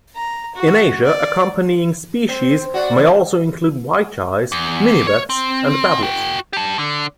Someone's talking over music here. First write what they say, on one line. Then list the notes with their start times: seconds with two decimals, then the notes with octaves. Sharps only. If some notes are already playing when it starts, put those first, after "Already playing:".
In Asia, accompanying species may also include white-eyes, minivets and babblers.
0.15 A#5
0.55 F#4
1.04 D5
2.29 C4 C5
2.48 C5
2.74 F#4 D5
2.97 E2
4.52 E2
5.07 C#5
5.30 C4
6.03 F#4 G5
6.53 G4 A5
6.79 D3